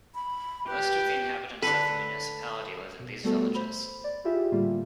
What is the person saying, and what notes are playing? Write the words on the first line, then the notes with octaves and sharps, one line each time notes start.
Most of the inhabitants of the municipality live in these villages.
B5
G4 B4
D3 A4 B4
B2
G3 A3 B3 F#4 A4
C5 B5
D5
E4 F4 G4 G#4 E5
A2 D3 G3 A#3 F4